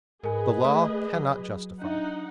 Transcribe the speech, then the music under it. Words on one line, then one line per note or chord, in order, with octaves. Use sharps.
The Law cannot justify.
G#2 G#4 A#4 B4 D#5 G#5
A3 D#6
F#3
D4 D#4 E5 F#5